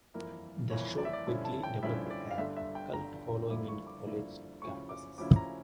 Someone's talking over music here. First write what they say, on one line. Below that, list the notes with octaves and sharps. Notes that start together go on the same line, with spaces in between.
The show quickly developed a cult following in college campuses.
G1 F2 E3 A#3 E4 A#4
G1 F2 E3 A#3 E4 C#5
D5
E5
D5
G2 D3 F3 C#4 E4
A5
G5
G2 D3 F3 C#4 E4 E5
D5
F5
G1 G2 D3 E5
E5
G5
G1 G2 D3 A#5
G2 D3 F3 A#3 E4 D6
C#6
D6
G2 D3 F3 A#3 E4
D2 C#3 F3 C#4 E4 C#6
D6
D2 C#3 F3 C#4 E4 D6
A#5